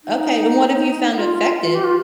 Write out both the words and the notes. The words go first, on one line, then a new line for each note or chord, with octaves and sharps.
Okay, and what have you found effective
D#4
F4
G4
F4